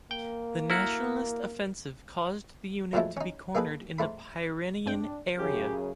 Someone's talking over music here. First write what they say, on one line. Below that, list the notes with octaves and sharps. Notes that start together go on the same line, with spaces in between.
The nationalist offensive caused the unit to be cornered in the Pyrenean area.
A#3 G5
E4 F#4 A#4
E2 F3 F#3 G#3 A3 E4
C#4 D#4
A#3 D#4 G#4 A4 B4
G#2 A3 B5
G2 C4 D4 G5
F#2 C#3 G4 G#4